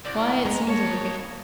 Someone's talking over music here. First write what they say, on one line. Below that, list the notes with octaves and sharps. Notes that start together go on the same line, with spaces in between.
Why it seems a week ago.
C2 D5
G#3 C#4 A#5
A#3 C#5 D#5 A5